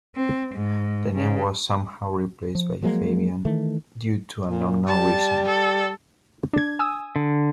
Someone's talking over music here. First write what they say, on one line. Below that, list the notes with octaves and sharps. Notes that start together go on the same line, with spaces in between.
The name was somehow replaced by Fabian due to an unknown reason.
C4
G#2
C#3
F3
F3 F#3 G#3 A#3
D#3 E3 A3
A#2
G3 A5
A4
D4 G#6
G#5 D#6 E6
D3